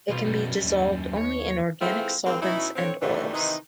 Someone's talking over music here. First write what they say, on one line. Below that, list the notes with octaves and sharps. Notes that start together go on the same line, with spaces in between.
It can be dissolved only in organic solvents and oils.
C2 B2 F4
F#2 G3
D#2
D#2 C#5
E3 G#3 A3 C4 E4 F4
D#2 G#3 A#3 C4
B2 C#4 D#4 E4
D3 C4 C#5
F#2 D#3 E3 G3 A3
C3 D#3 E3 D#4